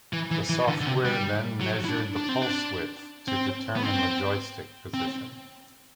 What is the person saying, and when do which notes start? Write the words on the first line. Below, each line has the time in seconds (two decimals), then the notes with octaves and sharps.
The software then measured the pulse width to determine the joystick position.
0.13 E3
0.31 E3
0.49 E3
0.68 D3
0.81 D3
0.86 C3
1.05 G3
1.61 F#3
1.85 E4
1.88 D4
2.16 D4
2.29 C4
2.42 D4
3.28 C4
3.76 B3
3.83 C4
4.94 C4